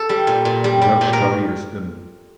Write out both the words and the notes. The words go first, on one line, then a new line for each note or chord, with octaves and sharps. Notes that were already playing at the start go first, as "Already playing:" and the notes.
Judge Tully is in.
Already playing: A4
G3
A#2
A#2
G3
G3
A#2
A#4